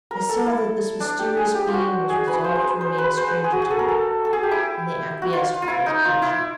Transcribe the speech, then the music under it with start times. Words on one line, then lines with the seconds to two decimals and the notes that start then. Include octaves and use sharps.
They saw that this mysterious being was resolved to remain a stranger to them, and they acquiesced with resignation.
0.11 A#4
0.29 A4
0.47 E4
1.00 D4
1.19 G4
1.37 G#4
1.55 G4
1.68 F4 F#4
2.09 G#4
2.27 B4
2.44 C5
2.55 C5
2.63 B4
2.81 C5
2.98 B4
3.17 C5
3.26 B4
3.44 G#4
3.53 F#4
3.62 G#4
3.71 A4
3.79 A#4
3.88 A4
4.25 A4
4.33 G#4
4.43 G4
4.51 E4
5.22 F#4
5.33 F4
5.62 F4
5.68 E4
5.86 D#4
6.05 F4
6.22 E4